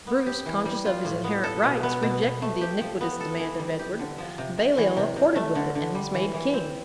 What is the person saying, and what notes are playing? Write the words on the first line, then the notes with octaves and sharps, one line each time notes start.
Bruce, conscious of his inherent rights, rejected the iniquitous demand of Edward; Baliol accorded with it, and was made king.
B3
G4
E3
G3
F4
A2
B3
A4
B2
B3
B2
B2
A3
G4
F3
B3
A4
E3
G3
G4
D3
F3
C3
C3
E3
C3
C3
A3
D3
D3
G3
E3
E3
C4